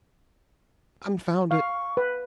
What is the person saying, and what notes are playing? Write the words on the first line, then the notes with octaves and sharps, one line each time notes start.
Confound it!
F5 C#6
B4